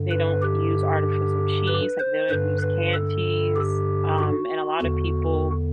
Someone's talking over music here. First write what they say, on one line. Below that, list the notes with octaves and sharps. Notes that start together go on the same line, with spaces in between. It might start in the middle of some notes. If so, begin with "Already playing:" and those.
they don't use artificial cheese, like, they don't use canned cheese, um, and a lotta people
Already playing: G2 D3
B4
G4
B4
C5
G2 D3 B4
B4
A4
G4
F#4
E2 D3